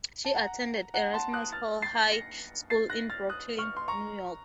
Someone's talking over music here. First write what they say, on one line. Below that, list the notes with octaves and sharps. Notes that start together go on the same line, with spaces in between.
She attended Erasmus Hall High School in Brooklyn, New York.
A5
F#5 A#5
F#5 A#5
A5 C6
D#6 F#6
F6 A6
A6 C7
A#6 C#7
A6 C7
F#6 A#6
F6 A6
D#6 F#6
C#6 F6
C6
A#5 C#6